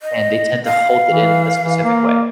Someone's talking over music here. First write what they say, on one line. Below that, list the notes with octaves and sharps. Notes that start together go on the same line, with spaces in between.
and they tend to hold it in a specific way.
D#5
F5
E3
E3
A#3